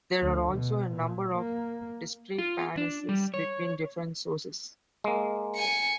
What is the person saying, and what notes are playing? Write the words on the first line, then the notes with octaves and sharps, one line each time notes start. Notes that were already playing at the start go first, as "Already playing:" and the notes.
There are also a number of discrepancies between different sources.
D2
B2
A#2
A#3
F4
D4
G3
C#5
G#3 A#3
G#5 C#7